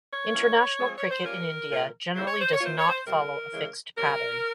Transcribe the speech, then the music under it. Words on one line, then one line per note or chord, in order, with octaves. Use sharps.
International cricket in India generally does not follow a fixed pattern.
C#5
E3 A#3 C#4 F4
F3 G#3 C4
C#5
C5
G3 A#3 C#4 F4 A#4
A#2 G#3 C#4 F4
C#3 F3 A#3 E4 C5
C#5
C5
C#5
E3 A#3 F4 C5
C#5
C5
C3 G3 C4 F4 A#4
C#3 E3 G#3
C3 G3 C#4 A#4